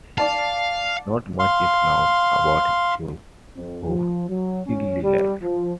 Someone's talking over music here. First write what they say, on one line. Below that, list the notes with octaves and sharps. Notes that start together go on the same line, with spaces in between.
Not much is known about Choe Woo's early life.
D5 F5 A5
F5 C6
F2
F3
F#3
C#4
G3
F3